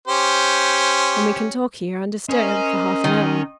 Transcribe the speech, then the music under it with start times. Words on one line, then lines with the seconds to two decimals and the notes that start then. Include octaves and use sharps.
"Then we can talk here undisturbed for half an hour?"
0.08 C#4 G4 C5
2.29 C#4 A#4 C5 D#5 G#5
3.04 D#3